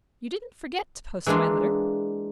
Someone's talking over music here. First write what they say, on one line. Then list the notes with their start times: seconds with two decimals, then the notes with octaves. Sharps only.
"You didn't forget to post my letter?"
1.26 E3 G#3 A#3 D4 F4